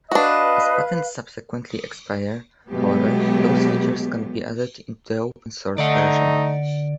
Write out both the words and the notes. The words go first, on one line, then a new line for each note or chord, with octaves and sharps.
As patents subsequently expire, however, those features can be added into the open-source version.
D4 F#4 B4 D#5 F5
B2 F#3 G#3 A3 B3 G4
D3 A3 D#4 D5 F#5